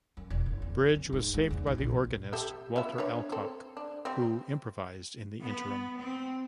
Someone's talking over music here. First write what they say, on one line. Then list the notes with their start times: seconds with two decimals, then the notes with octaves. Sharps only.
Bridge was saved by the organist, Walter Alcock, who improvised in the interim.
0.17 F#2
0.30 E1
0.46 F#1
0.62 E2
0.94 F#2
1.13 G#2
1.34 G#2
1.50 E2
1.66 B1
1.78 A#1
2.33 G4 A4 E5
2.76 B3 F4 E5
2.98 D4 B4 C#5
3.32 C4 A4
3.77 D4
4.05 G3 C4
5.42 B3
5.98 C4